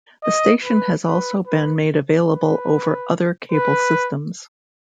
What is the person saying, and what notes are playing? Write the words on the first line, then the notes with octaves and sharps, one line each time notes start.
The station has also been made available over other cable systems.
D#5
B4
B4
B4
B4
B4